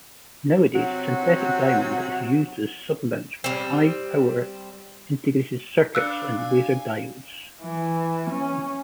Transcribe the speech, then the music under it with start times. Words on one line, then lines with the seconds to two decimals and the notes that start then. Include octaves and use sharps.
Nowadays synthetic diamond is used as submounts for high-power integrated circuits and laser diodes.
0.74 C3 F#3 F#4
3.44 G3 C4
5.95 D4 B4 F5 E6 F#6 C#7
6.37 G#5
7.62 E3
8.31 C#4